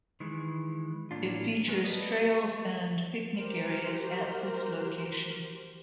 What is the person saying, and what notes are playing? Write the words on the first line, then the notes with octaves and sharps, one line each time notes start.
It features trails and picnic areas at this location.
D#3 E3 G#3
A2 E3 F3 A#3 D4 F4
G#3 A3 B3 A4 A#4
A4 B4 D5 D#5
F#4 G4 A#4 C5